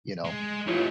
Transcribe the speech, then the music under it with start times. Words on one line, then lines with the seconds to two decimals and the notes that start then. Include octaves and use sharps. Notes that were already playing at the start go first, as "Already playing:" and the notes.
you know,
0.24 G#3
0.67 F#3 A3 E4 F4 G4 C#5